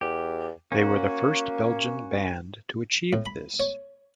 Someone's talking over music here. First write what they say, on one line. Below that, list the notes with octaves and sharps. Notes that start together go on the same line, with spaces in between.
They were the first Belgian band to achieve this.
E2 G4
A#3 C#4 F#4
A2
B5
C#5